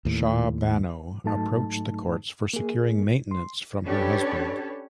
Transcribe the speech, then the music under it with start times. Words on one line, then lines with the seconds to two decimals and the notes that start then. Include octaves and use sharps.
Shah Bano approached the courts for securing maintenance from her husband.
0.05 D#2 A2
1.24 G#2 F#3 A3 D#4 A5
2.53 A#3 G#4
3.31 C6
3.85 C#4 D4 G4 A4 B4 C#5